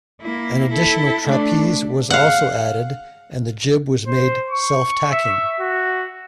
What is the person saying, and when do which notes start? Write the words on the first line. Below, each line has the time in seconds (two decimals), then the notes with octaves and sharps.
An additional trapeze was also added, and the jib was made self tacking.
0.21 A#3 E4
0.69 E4 A4
1.27 A3 D4
2.10 F5 F#5
4.07 C5
4.51 C#6
5.12 E5
5.60 F#4